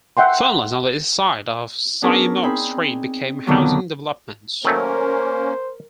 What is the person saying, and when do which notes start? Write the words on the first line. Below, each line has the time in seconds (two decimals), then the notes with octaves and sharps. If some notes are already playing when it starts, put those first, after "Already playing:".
Farmlands on the east side of Simcoe Street became housing developments.
0.17 E5 F#5 G5 C6
2.02 B3 C#4 D4 G#4 A#4 B4
2.43 C4 D#4 G#4 B5
3.47 F2 B2 D3 D#3 F#3 B3
4.65 D#3 F#3 A3 A#3 C#4 A#4 C5